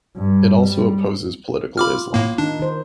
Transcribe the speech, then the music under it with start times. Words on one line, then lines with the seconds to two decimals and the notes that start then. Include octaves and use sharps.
It also opposes political Islam.
0.16 G2
0.61 G3
1.77 F4 B5 D6 F6
2.14 A2 A#3
2.38 D#3 D4 D#4
2.60 D#3 C5